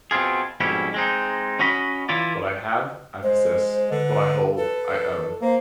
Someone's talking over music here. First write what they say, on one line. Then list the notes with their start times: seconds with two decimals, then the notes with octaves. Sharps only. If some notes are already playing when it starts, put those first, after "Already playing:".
What I have, I possess; what I hold, I own.
0.11 B2 C4 F4 G#4
0.60 F2 G#2 B2 G3 C#4 E4
0.94 G#3 C4 D#4
1.59 C#4 F#4 D#5 B5
2.09 E3 E4 F4 D5
3.23 G#3 C5
3.91 D3 B4
4.57 A4 B4
5.42 A#3 C5